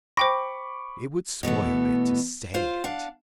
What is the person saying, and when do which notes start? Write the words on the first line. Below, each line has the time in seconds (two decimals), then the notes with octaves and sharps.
"It would spoil it to say it."
0.17 C5 G5 B5 C#6 D6 A#6
1.43 B2 E3 A3 B3
2.54 F4 C5 F5
2.84 D4 F5 F#5